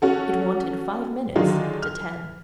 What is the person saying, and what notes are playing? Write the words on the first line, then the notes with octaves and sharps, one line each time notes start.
It wanted five minutes to ten.
C#4 F#4 A4
D3 D#3 F#3 D4 F4 G#4
F6